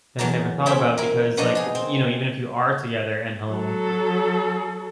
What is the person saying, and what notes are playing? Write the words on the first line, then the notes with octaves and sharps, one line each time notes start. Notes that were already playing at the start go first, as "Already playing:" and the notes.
that I never thought about because, like, w you know, even if you are together at home,
E2 F#3 A5 A#5
C4 C#4 E4 E5 G5 A#5
E4 A#4
B2 F3 D4 D#4 F#4 B4
D#4 G#4
C4
F#3 A4